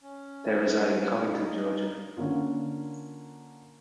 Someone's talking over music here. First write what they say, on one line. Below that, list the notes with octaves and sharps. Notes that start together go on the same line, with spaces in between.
They reside in Covington, Georgia.
C#4
F4 B4 E5
D#4 F5 B5
D3 A#3 C#4 F4